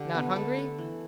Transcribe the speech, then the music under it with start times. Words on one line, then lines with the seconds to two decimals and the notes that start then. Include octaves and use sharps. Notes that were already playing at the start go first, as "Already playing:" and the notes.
"Not hungry?"
Already playing: D3 G4
0.14 A3 B3 D4 B4
0.36 D3 A3 A4
0.57 A3 D4
0.78 E3